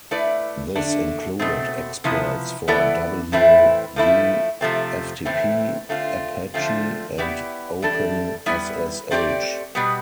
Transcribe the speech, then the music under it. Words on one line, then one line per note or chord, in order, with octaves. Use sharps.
This included exploits for wu-ftp, apache, and openssh.
A3 E4 B4 D5
D3 A3 D4
B2 A3 C4
C3 F3 B3 E4
E3 B3 E4 A4 D5
A2 E3 A3 C4 E4
F3 A3 E4
C3 F3 A3 C4
A2 E3 A3 C4
D3 A3 C4 F4
D3 F3 A3 C4 F4
B3 E4 G4 D5
E3 G3 D4 A4
G3 B3 E4 B4
A3 C4 G4 D5
B2 G3 B3